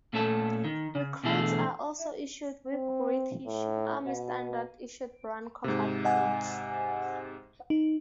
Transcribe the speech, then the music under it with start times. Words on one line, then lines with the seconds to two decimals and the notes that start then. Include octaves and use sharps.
Recruits are also issued with British Army Standard Issued Brown Combat Boots.
0.13 A#2 A3 C#4 A4 A5
0.64 D#3
0.95 C#3
1.23 B2 D3 E3 A3 G#4 A4
2.72 C4
3.46 A2
4.05 B2
5.64 G#2 C3
6.05 D#5 F#5 G#5
7.70 D#4